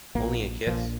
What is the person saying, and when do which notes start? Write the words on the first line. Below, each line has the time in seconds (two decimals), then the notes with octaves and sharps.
Only a kiss?
0.15 A#1 A#2 A#3
0.67 A#1 A#2 F3